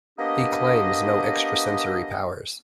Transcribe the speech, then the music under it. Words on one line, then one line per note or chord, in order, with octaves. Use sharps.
He claims no extrasensory powers.
A#3 B3 D4 G4 D#5